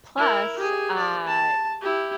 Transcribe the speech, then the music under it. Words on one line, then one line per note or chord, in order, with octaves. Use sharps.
plus, uh,
E4 A#4
G4 G#4
D5
A5
E4 G4